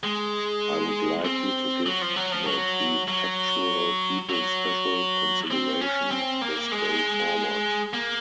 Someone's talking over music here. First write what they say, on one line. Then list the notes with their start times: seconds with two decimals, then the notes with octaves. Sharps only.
I would like you to give the prefectural people special consideration, this day forward.
0.03 G#3
1.25 C4
1.86 F#3
2.01 F3
2.16 F#3
2.32 F3
2.46 F#3
3.08 F#3
4.29 F#3
5.51 C4
5.81 C#4
6.11 C4
6.42 A#3
6.72 G#3
7.93 A#3